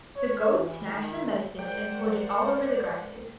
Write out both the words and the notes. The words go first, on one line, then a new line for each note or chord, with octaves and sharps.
The goat snatched the medicine and poured it all over the grasses.
C#5
E3
D#3
G#3 A#4 C5 D5 F#5 G5